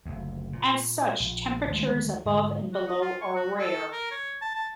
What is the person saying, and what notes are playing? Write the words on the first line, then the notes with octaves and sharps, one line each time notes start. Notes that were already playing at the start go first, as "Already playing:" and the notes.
As such, temperatures above and below are rare.
F#1 D2
A#2
A#1
D2 D#3 G#3 A3
G#2 D3
F#4
D#5
F4
C#6
F#4
A4
A#4
C#5
A5
A5